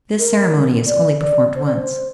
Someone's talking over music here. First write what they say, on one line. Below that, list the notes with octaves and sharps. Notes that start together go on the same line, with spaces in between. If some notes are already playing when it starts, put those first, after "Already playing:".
This ceremony is only performed once.
A#4
D5
D5
C5
D5
C5